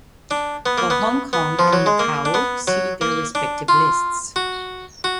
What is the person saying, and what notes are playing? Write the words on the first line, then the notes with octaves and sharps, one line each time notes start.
For Hong Kong and Macau see their respective lists.
D4
B3
A#3
B3
B3
F3
F#3
G#3
A#3
D4
B3
F#3
A#3
D4
F4
F#4
F#4